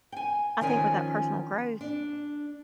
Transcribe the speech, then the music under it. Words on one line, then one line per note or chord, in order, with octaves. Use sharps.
I think with that personal growth,
G5 G#5
D#3 F3 C#4 A#4 G#5
D4